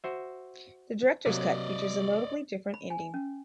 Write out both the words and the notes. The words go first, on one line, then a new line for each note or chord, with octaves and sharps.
The director's cut features a notably different ending.
F#4 C5 E5
C3 F#3 A#3 D5 D#5
B5
G#5
C#4